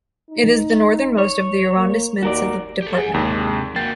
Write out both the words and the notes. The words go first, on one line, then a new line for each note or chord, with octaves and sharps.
It is the northernmost of the arrondissements of the department.
D#4
C#5
A#3
D#2 F#4 A#4 D5
G4 A4
G#4 F#5 G#5
D#2 C3 G#3 D4
A#3 F#4 G5 A6